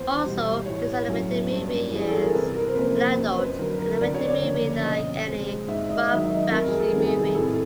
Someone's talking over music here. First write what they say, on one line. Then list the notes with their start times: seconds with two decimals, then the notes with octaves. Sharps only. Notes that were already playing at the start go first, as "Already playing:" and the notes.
Also, this animated movie is an adult animated movie like any Ralph Bakshi movie.
Already playing: E2 C5
0.25 B2 G3
0.66 A2 C#5
1.08 F#3 A3 C#4
1.50 G2
1.91 E3 G3 B3 G#4
2.09 A4
2.21 A#4
2.33 C2 B4
2.55 A#4
2.66 C5
2.75 C3 F3 A#3 C#4 B4
2.96 C5
3.17 F2 C5
3.39 B4
3.59 D3 F#3 A#4
3.79 A#4
4.01 D2 D5
4.14 C#5
4.28 D5
4.42 C#3 F3 A#3 D4
4.84 B2 D#5
5.27 G#3 C4
5.67 G#2 E5
5.89 D#5
6.01 D#5
6.09 D#3 F#3 E5
6.30 D#5
6.51 F2 A#4
6.68 G#4
6.80 A4
6.93 C3 D#3 G3 B3
7.07 G#4
7.35 A2 A4